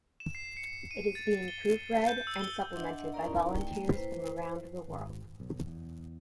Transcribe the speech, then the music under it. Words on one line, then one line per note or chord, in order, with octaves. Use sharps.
It is being proof-read and supplemented by volunteers from around the world.
E7
C7
C#7
D#7
A6
G7
G6
E6
G7
D4 D#5 E5 F#5 C6
C#4 D#4 E4 A#4 D5 A#5
A3 G5
E4 B4 C5
G#1
B1
E2